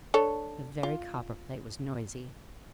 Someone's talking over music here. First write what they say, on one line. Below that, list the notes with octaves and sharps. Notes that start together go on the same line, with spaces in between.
The very copperplate was noisy.
D4 A4 C#5
F4